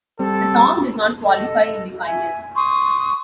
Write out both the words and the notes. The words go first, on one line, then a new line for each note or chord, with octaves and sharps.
The song did not qualify in the finals.
G3 C4 A4
A4 D#5
E5 G#5
C6 C#6 D#6